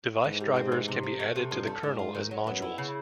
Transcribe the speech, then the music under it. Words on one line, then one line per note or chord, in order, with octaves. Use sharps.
Device drivers can be added to the kernel as modules.
G#2 E3
G3
C4
E3
C3
F3
A3
C3
G2 F3
A3
G#2 D4
F4
D#3
F#3
F#2 B3
E4
C#3